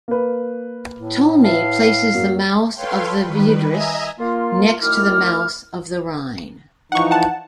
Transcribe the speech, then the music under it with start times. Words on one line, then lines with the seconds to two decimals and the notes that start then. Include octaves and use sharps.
Ptolemy places the mouth of the Vidrus next to the mouth of the Rhine.
0.08 A#3 B4
0.97 A2
1.44 B4 E5 F5 A5
2.14 F#2 F#3 A#3
2.72 A4 B4 C#5 F5 G5 C6
3.23 D#3 G3 B4
3.68 D#5 E5 G#5 A#5
4.19 A#3 F4
4.82 F#2 D#3 A3 E4 D6 F6
6.92 E3 F3 D#4 F#5 C#6
7.11 F#5 A5